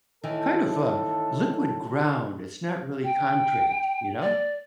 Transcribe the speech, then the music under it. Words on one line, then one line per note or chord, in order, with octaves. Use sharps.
kind of, um, liquid ground, it's not really concrete, you know?
A2 D#3 E3 A4
G5
D5